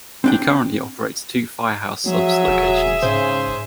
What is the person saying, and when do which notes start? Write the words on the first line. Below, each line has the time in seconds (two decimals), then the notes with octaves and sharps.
He currently operates two Firehouse Subs locations.
0.24 C4 D4 G5
2.06 F3 F#3 G#4 E5
2.47 E1
3.03 G#2 C#3 C5